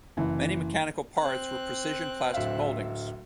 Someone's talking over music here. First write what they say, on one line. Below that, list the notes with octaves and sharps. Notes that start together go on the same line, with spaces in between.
Many mechanical parts were precision plastic moldings.
F#1 E3
C4 F#6
D1 E5 F5